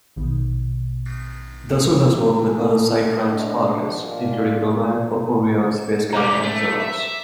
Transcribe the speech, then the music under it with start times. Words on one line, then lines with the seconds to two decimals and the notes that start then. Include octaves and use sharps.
Dassulle has worked with other psytrance artists, including Nomad, Oforia, Space Cat, and Xerox.
0.16 A#1 B2 D#3
2.44 G#5 A5
3.30 D4 D#5 F#5
4.00 A#2
6.13 G3 C#4 A#5 D6
6.42 A3
6.80 E5